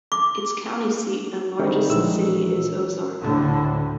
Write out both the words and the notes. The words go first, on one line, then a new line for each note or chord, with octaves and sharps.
Its county seat and largest city is Ozark.
D6
D3 D#3 G3 A3 C4 D#4
A#1 E3 F#3 G#3 E6
D2 A2 D3